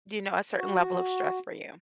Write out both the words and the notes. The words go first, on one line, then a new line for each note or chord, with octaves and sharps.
you know, a certain level of stress for you?
F#4